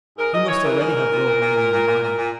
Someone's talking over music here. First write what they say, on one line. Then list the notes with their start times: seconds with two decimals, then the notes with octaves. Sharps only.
He must already have rowed nearly a mile.
0.18 G#2 A#4
0.33 G#2 D#5
0.48 E3 C#5
0.64 E3 A#4
0.80 G#2
0.95 G#2
1.10 A#2
1.26 A#2
1.41 A#2
1.56 A#2
1.72 A#2
1.87 A#2
2.03 A#2
2.18 A#2